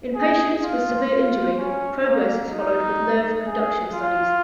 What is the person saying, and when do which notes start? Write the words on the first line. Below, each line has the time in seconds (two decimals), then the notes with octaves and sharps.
In patients with severe injury, progress is followed with nerve conduction studies.
0.15 G#4
0.63 F4
1.10 F4
1.58 C#4
2.05 A#3
2.52 D#4
3.47 G#4
3.94 F4